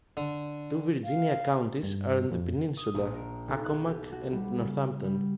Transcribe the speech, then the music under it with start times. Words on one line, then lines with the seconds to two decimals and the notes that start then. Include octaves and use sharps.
Two Virginia counties are on the peninsula: Accomack and Northampton.
0.17 D3
1.03 F5
1.83 G2
2.32 F2
2.77 D#6
2.95 A#1
3.14 A#4
3.48 B1
3.65 F#6
3.87 G4
4.12 F#4
4.32 G3
4.60 C#3
5.04 G3